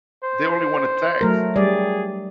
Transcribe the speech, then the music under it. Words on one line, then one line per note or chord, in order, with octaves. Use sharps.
They only want to text
C5
F#3 A3 A#4
G3 G#4 D5